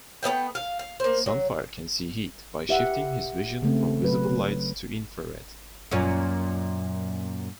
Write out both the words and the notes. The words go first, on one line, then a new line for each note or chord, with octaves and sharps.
Sunfire can see heat, by shifting his vision from visible light to infrared.
A3 B3 E5 G5
F5
F5
A#3 C5
F#3
G4 E5 F#5
C#3 A3 C4
F#3 B4
F#2 A#2 C#4